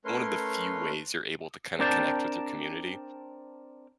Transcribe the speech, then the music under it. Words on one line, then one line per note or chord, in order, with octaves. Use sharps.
one of the few ways you're able to kinda connect with your community,
A3 C#4 A#4 B4 C#5 C6
C4 D4 A#4 D5 G5 A5